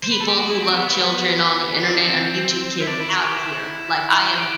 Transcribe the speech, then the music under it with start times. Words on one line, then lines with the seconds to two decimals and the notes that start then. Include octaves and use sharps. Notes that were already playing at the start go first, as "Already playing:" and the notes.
people who love children on the internet and YouTube kids out of here, like, I am
0.04 C5
0.12 B4
0.20 A4
0.28 G4
0.37 F#4
0.50 E4
0.62 C4
0.74 B3
0.87 B3
1.87 C4
1.94 D4
2.02 C4
2.80 E4
2.87 D4
3.00 E4
3.13 F#4
3.24 G4
3.37 E4
4.38 G4